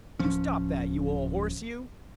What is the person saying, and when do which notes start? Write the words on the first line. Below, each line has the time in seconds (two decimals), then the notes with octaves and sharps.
"You stop that, you ole horse, you!"
0.19 D1 F3 C#4